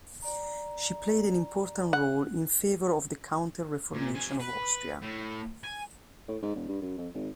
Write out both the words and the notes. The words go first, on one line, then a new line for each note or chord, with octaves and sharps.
She played an important role in favor of the counter reformation in Austria.
D5 A#5
F#5
A#2
C3 G#5
B4
A2
G#5
A2
G#2
E1
G2
F#2
F2
G#1